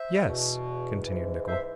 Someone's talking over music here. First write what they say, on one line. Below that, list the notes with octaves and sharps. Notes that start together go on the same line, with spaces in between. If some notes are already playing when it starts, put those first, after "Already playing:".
"Yes," continued Nicholl.
Already playing: C5 E5
E2 B2
G#2 E3
C5 E5